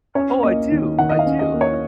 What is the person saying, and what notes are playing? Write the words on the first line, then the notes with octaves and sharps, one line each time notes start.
Oh, I do, I do, uh
C#4 C#5
A#3 D#5
D#3
D#3 F#5
D#5
F5
C#4
D#5
A#3
C#5